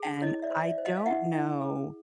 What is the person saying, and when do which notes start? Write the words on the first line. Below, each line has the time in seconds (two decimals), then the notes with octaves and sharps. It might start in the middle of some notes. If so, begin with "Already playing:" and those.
and I don't know
Already playing: G#4
0.22 E4 C#5 D#5
0.42 D5 E5
0.50 C5
0.64 D5 E5
0.78 C5
0.85 D#5 F5
0.97 F5
1.06 E4 E5 F#5
1.34 E4
1.61 G#4